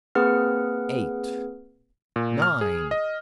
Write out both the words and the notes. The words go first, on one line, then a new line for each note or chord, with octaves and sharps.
Eight, nine!
A#3 C4 G#4 B4 F#5 F6
A#2
F6
G#4
D#5